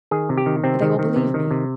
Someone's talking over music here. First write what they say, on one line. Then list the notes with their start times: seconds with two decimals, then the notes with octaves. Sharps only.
But they will believe me.
0.11 D#3 G#4
0.29 C3
0.37 G4
0.46 D#3
0.64 C3 C4
0.82 D#3
0.99 D#3
1.16 C3
1.34 D#3
1.51 C3